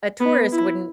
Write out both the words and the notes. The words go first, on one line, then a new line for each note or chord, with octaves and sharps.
a tourist wouldn't
B3
E4